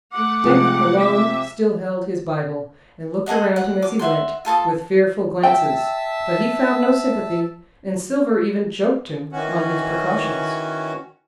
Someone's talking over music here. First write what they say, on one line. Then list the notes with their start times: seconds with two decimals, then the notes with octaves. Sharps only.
Dick alone still held his Bible, and looked around him as he went, with fearful glances; but he found no sympathy, and Silver even joked him on his precautions.
0.12 A3 F#5 D6
0.44 C3 F3 G#3
0.97 E5
3.26 G#4 A4 D#5 F#5
3.56 F#5
3.82 D6
3.99 E5 F#5 C6
4.45 F4 A4 A5 D#6
5.43 E5 G5 A5 E6
9.32 D#3 E3 C#4 F#4